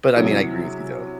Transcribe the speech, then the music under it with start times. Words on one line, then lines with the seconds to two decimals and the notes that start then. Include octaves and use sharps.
But, I mean, I agree with you, though.
0.16 C3 F#3 C#4 E4 G#4